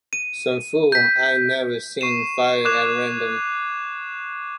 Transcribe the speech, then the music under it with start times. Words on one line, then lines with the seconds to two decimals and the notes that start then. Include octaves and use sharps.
Some fool I'd never seen fired at random.
0.13 D#7
0.92 G6 B6
2.01 C#6 C7 D#7 E7
2.65 C#6 D6 F#6 G#6 E7 F7